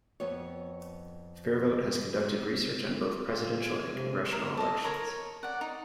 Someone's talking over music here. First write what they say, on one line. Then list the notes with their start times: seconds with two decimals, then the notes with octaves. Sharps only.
FairVote has conducted research on both presidential and Congressional elections.
0.20 F2 B3 C#5
3.26 F4
3.61 G#5
3.93 C3
4.32 A#4
4.57 A4 D#5
4.84 A#4 C#5 A#5
5.43 D5 F#5
5.61 D#4